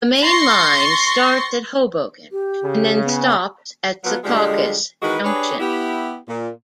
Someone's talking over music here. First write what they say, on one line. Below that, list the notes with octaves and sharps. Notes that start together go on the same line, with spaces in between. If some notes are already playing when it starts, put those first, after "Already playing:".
The Main Line starts at Hoboken and then stops at Secaucus Junction.
C6 C#6 A6 A#6 C7 C#7
G4
C#3
B3
F3 F#3 B3
D3 F3 G3 G#3
D#3 E3 G#3 F#4 B4
D4 G4 G#4 B4 C#5 D5
B3 E4 G4
A#2